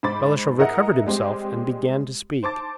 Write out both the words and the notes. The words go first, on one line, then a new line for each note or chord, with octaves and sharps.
Balashev recovered himself and began to speak.
G#2 C5 B5 D6 A6
E4 G#4 A#4 D#5 E5 F#5
G3 G#3 C4 G4
C5 A5 D6 A6